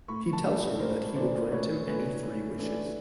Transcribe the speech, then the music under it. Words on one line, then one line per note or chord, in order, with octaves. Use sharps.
He tells him that he will grant him any three wishes.
A2 B5 C#6
A5 B5
E3 A3 D4
A2 A#4 C5
E3 A3 D4 C5 D5
A2 B4 C#5
E3 A3 D4 B4
A2
E3 A3 D4